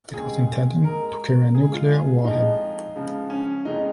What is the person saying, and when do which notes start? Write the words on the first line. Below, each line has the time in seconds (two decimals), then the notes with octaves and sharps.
It was intended to carry a nuclear warhead.
0.14 D#2 C#3 G#3 G#4
0.84 G#2 G#3 A#4
1.55 G#2 G#3 G#4
1.72 F4
1.89 G#4
2.24 F2 F3 G#3 D#4
2.96 C#2 C#3 F3
3.30 C#4
3.65 F2 C#3 G#3 D#4